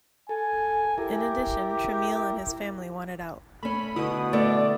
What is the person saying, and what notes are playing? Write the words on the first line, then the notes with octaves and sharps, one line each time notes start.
In addition, Tramiel and his family wanted out.
A4 G#5
E4 G4 A#4
A3 C#4 B5
B2 D3 E4 D#6
A3 D5